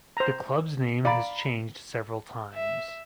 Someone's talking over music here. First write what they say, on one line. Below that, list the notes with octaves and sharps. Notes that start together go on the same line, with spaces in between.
The club's name has changed several times.
C5 A#5
D5 F5 A#5 B5
E5